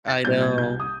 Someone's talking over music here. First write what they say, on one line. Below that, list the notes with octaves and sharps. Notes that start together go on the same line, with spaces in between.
I know.
A6
A#2 G3 A#3 G6
G#6
C2 G6
D#6